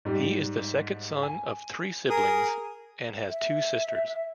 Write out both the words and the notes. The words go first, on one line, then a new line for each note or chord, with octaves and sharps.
He is the second son of three siblings and has two sisters.
G#2 G3
G#5
G#4 A#4 D#6
E5